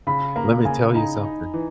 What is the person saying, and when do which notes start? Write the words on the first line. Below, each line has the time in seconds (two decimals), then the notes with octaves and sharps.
Let me tell you something."
0.07 C#3 B5
0.36 A#3 A#5
0.65 C#3 G#5
0.94 D#4 A#5
1.24 D#4
1.54 E3